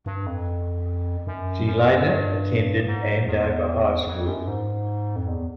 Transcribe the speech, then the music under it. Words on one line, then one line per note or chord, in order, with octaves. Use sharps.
She later attended Andover High School.
G2
F2
F#2
F#2
G2
G#2
E2
F2
F#2
G#2
F2
E2